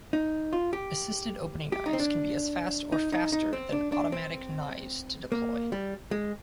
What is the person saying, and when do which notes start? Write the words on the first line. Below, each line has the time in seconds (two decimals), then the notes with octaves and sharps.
Assisted opening knives can be as fast or faster than automatic knives to deploy.
0.13 D#4
0.53 F4
0.73 G4
1.72 G4
1.86 D#4
1.93 C4
1.99 D4
2.92 D#4
3.12 D#4
3.32 D#4
3.53 C4
3.72 D4
3.92 D4
4.12 C4
5.32 A#3
5.72 G3
6.11 G#3